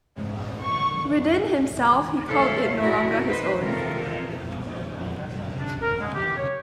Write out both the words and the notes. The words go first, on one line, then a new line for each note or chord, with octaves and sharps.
Within himself he called it no longer his own.
G#2
C#6
E4 A4 C5 C#5 F5
A2 E4 F#4 A#4 D5
F3 D#4 B4 C5
C3 D#3 F4 A4 A#4
D4
A#4
G#3
G4
C#5